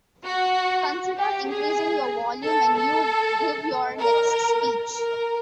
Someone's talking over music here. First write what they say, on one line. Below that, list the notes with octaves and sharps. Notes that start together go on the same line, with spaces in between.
Consider increasing your volume when you give your next speech.
F#4
G4
G#4
A4
A4
A#4
A#4